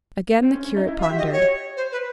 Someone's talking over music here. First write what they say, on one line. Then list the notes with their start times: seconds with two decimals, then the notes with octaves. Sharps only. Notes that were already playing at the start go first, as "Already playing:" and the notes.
Again the curate pondered.
0.42 C4
0.53 C#4
0.64 C#4
0.77 D#4
0.88 E4
0.99 F4
1.02 E5
1.10 G4
1.16 F#4 D#5
1.21 G4
1.32 C#5
1.77 C5
1.92 B4